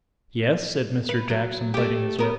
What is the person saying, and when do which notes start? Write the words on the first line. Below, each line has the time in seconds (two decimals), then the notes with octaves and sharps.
'Yes,' said Mr. Jackson, biting his lip.
1.09 B4
1.30 F#3
1.74 A3 G4
2.19 B3 A#4